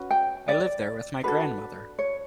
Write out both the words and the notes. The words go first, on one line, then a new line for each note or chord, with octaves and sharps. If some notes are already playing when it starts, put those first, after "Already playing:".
I live there with my grandmother.
Already playing: C#4 F#4 B4
G5
D5
D4 F#4 A4 B4
C#5